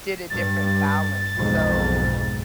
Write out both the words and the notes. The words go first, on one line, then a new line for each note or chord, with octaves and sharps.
did a different balance. So,
G2 A6
B1 F2 G#2